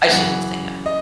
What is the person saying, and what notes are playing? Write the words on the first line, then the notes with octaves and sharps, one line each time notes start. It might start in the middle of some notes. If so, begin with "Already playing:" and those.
I shouldn't say no.
F#2 C#3 E3 F#5
D#5